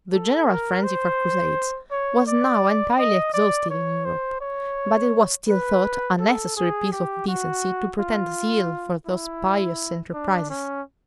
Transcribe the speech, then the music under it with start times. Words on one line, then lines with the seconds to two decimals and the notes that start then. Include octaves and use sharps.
The general frenzy for crusades was now entirely exhausted in Europe; but it was still thought a necessary piece of decency to pretend zeal for those pious enterprises.
0.12 A4
0.48 A#4
0.83 C5
1.91 C#5
2.27 D5
2.98 D#5
3.33 D5
3.70 C#5
4.05 C5
4.41 C#5
5.48 B4
6.20 A4
6.56 G#4
6.92 G4
7.28 F#4
7.99 F4
9.06 E4
10.13 D4
10.50 C#4